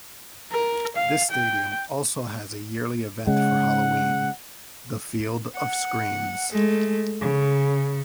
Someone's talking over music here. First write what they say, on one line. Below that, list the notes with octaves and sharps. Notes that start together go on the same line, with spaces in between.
This stadium also has a yearly event for Halloween, the "Field of Screams".
A#4
F5
G5
C#3 G#3 F#5
F#5
G#3 A3
C#3